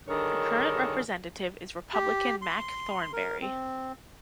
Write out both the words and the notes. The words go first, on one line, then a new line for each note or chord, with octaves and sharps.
The current Representative is Republican Mac Thornberry.
G2 D3 D#3 G#4 A#4 C#5
G4
C6
A#4
C4